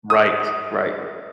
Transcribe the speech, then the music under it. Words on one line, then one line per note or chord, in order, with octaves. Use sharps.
Right, right.
D#6